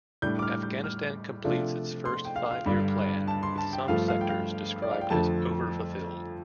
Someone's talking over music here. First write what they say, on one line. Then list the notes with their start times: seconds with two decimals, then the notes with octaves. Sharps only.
Afghanistan completes its first five-year plan, with some sectors described as over-fulfilled.
0.22 A2 G3 D4 G6
0.39 D6
0.42 F6
0.63 G6
0.84 F6
1.44 C3 F3 A3 D4 F4
2.05 C6
2.25 G5
2.36 F5
2.51 F5
2.66 G2 D3 G3 D4
3.27 A5
3.43 C6
3.58 A5
3.73 G5
3.88 G2 F3 A3 F5
4.08 F5
4.21 G5
4.29 F5
4.82 D5
4.91 F5
5.01 G5
5.10 F2 D3 F3 A3 A5